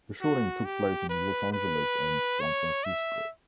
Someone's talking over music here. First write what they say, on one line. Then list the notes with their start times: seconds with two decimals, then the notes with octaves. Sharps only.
The shooting took place in Los Angeles and San Francisco.
0.21 F#4
0.65 G4
1.09 B4
1.53 B4
2.40 C#5
2.85 E5